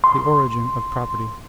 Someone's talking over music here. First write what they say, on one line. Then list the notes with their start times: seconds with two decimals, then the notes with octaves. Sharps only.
The Origin of Property.
0.04 C6